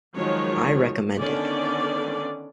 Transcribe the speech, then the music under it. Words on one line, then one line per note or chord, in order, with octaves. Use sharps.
I recommend it.
D#3 F3 F#3 G#3 C#5
D3 D#3 B3 C#4 D4 D5